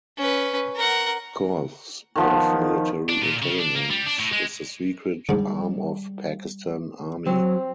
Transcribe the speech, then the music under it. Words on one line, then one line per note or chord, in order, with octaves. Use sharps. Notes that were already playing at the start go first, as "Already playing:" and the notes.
Corps of Military Intelligence is the secret arm of Pakistan Army.
C#4 B4
A#4 F#5
D#3 F3 B3
D4
A#2
C#3
D4
A#3
G3
D4
A2
G#3
G#2 D3 G3
F#3 C4